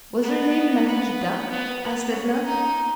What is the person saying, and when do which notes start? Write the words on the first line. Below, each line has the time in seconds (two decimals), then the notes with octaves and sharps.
"Was her name Mariequita?" asked Edna.
0.22 B3
0.86 B3
1.50 B3
1.81 B3
2.13 C#4
2.45 D#4